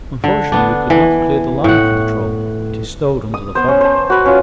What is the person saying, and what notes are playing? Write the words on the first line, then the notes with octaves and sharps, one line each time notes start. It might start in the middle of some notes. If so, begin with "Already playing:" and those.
Unfortunately we could not clear the line for the trawl--it is stowed under the fodder.
D3
B3 D4
E3
A2 F#5
D#6
B3 C5
C#4
C5 A5
F#4 B4
C#4 F4